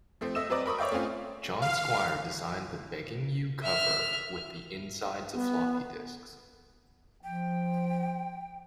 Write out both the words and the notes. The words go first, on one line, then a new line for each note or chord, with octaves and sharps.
John Squire designed the "Begging You" cover with the insides of floppy disks.
F3 A3 C4
A3 D#5 E5 E6 E7
F#3 C4 B4 D5 D#5
A#4 B5 C#6 D#6
C#5 D5 E5 F5 G5
A3 C4 C#4 F4
F5
E5 F6
B3
F3 G5